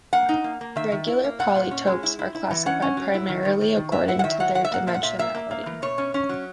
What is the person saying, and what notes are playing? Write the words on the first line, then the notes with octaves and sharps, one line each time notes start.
Regular polytopes are classified primarily according to their dimensionality.
A#3 F#5
D#4
A#3
A#3
D#3 E5
D#3
E4
A#3
A#2 F#5
A#2
C#4
G#3
E4
E4
E4
E3
C#4 F#5
C#4
F#3
E4
D#3
D#3
D#3
D#3
F#3 E5
E4 F#5
F#5
D#3 E5
F#3 F#5
F#3 F#5
E5
A#3 F#5
A#2 E5
F#5
A#2 E5
A#3 E5
A#3
A#3
E3
B2 C#5
C#4
C#4
F#3